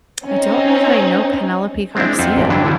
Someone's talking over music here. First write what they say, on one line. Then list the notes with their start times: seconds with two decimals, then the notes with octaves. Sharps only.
I don't know that I know Penelope Garcia.
0.24 C4 C#4 D#4
1.95 G#3 C4 D4 E4
2.19 F2 C4 F4 E5 F#5
2.37 A1 G#2 G5
2.49 G2 D3 F#3 D4 E4
2.64 D3 E3 F#3 G3